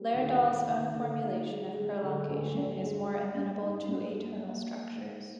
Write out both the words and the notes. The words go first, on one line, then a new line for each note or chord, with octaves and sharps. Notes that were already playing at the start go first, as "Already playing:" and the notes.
Lerdahl's own formulation of prolongation is more amenable to atonal structures.
Already playing: G3
D#2
D#2
D#3
D3
D#4
G#3
G#3
D3
D2
G2
G#3
G#3
G2
D#4
G2
A#3
A#3
A#3
G#2